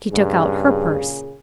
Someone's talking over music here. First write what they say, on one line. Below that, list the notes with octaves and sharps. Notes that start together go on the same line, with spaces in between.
She took out her purse.
G2 A#2 C#3 G#4